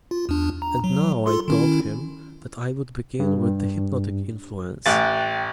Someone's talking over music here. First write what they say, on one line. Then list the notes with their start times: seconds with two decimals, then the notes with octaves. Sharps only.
And now I told him that I would begin with the hypnotic influence.
0.11 F4
0.29 E2 D4
0.62 A#5
0.84 F#3
1.26 F4 A4 C6
1.48 D#3 C#4 E4
3.19 G2
4.86 A1 G5 F#6 A6